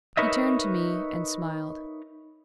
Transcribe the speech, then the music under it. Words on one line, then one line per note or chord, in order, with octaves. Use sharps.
He turned to me and smiled.
D#4 A#4 B4 C#5 D#5 E5